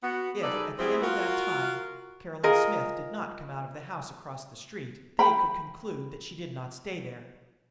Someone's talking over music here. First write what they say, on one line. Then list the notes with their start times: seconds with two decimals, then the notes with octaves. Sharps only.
If, at the end of that time, Caroline Smith did not come out of the house across the street they could conclude that she did not stay there.
0.03 B3 F#4
0.43 G3 D#4 G#4 A4 B4 D5
0.79 G3 G#3 B3 C4 E4 G#4
1.03 F4 F#4 A#4
2.43 F4 G#4 A#4 D#5
5.19 G5 B5